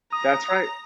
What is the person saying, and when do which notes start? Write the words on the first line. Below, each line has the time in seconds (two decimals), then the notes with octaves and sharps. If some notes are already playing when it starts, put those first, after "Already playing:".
That's right.
0.13 A#5 D#6